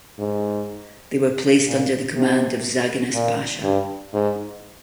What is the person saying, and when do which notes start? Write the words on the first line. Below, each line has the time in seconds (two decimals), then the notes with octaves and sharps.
They were placed under the command of Zaganos Pasha.
0.19 G#2
1.67 A#2
2.16 C3
3.14 A#2
3.63 G2
4.13 G#2